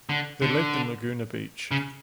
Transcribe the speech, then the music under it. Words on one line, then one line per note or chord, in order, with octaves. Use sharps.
They lived in Laguna Beach.
D3
D3
C#3